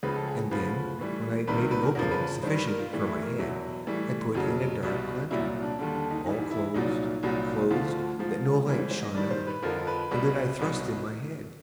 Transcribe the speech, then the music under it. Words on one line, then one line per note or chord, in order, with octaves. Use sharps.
And then, when I had made an opening sufficient for my head, I put in a dark lantern, all closed, closed, that no light shone out, and then I thrust in my head.
C#2 C#3 F3 B4
A4
G#4
D2 C#3 F3 B4
A2 E3 G3
C2 C3 D#3 G3 B4
A#4
B4
A#4
E2 C#3 F3 A#4
B4
G2 D#3 G3 C5
B4
A#4
F4
A2 E3 G3
E4
A#4
E2 B2 F#3 E4
A2 E3 G3
F2 C#3 F#3
C2 B2 G3
C2 A#2 F#3 E4
D4
D#2 D3 G3 D4
D4
D#4
G2 E3 G3 D#4
E4
C2 A#2 F#3 D#4
C2 A#2 F#3
D2 D3 F3 F4
G#2 F3
G#2 E3 G3 A#4
C5
C5
D#5
G2 D#3 G3 D5
C5
B4
F2 D3 F3 A#4
B4
C2 B2 G3
C2 B2 F#3